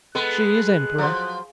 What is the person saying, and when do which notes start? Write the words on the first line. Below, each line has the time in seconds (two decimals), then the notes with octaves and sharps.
"She is emperor."
0.15 G#3 B3 A4 B4 F#6
0.98 F3 F#3 C5